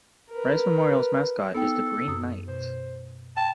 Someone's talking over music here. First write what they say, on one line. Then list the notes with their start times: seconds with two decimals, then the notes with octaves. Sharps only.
Rice Memorial's mascot is the Green Knight.
0.31 A#4 B4
1.55 B3 D#4 A4 G5
2.08 F#2 D#6
2.48 B2 C5
3.37 G5 A5